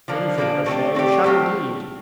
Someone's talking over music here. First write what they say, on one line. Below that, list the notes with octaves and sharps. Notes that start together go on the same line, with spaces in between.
Then you shall have a share, you shall indeed!'
D3 F3 A#3 D4
D3 F3 A#3 D4
A3 C4 G4 D5
A3 C4 G4 D5
F3 A3 C4 G4